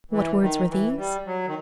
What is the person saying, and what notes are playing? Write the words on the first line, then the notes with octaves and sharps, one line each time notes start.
What words were these?
E3
D#3
E3
G3
F#3
D#3